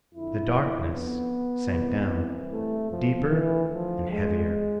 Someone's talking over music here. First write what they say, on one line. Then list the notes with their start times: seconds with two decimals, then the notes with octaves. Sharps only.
The darkness sank down, deeper and heavier.
0.14 F2 D3 E4
0.93 B3
1.72 C2 C3 E3
2.51 A3
2.90 F3
3.30 D2 D3 E3
3.69 F3
4.10 G#3